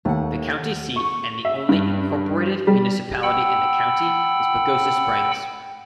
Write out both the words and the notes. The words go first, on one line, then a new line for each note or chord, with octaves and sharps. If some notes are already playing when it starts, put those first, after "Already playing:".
The county seat and the only incorporated municipality in the county is Pagosa Springs.
D#2 A3 F#5
C#6
E5
G2
G3
F#5 G5 B5 E6